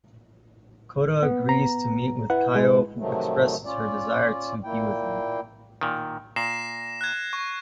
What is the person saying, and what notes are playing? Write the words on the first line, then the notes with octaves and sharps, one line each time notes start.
Kota agrees to meet with Kayo who expresses her desire to be with him.
B3
A#5
E4 B4 F#5
G#3
C3 D#3 F3 F#3 A3
C#4 F4 D5
A#2 A#3 E4 G5
A#2 D#3
A#2 A#6 C7 E7
F#6 G#6
C#6